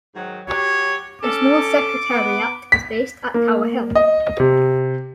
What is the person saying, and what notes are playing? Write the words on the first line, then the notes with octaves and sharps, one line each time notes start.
A small secretariat is based at Tower Hill.
G#2 D#3 F#3
F#3 G4 C#5
C#4 A4 D6
B3
B6
A#3
D#5
C3